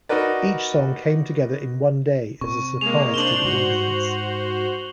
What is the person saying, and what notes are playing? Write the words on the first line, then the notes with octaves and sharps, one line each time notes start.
Each song came together in one day as a surprise to the audience.
D#4 F#4 A#4 B4 D5
C3 C#6
G#3 A#3 F7
D4 C5 E7 F#7 G7
G#2 F#4 C5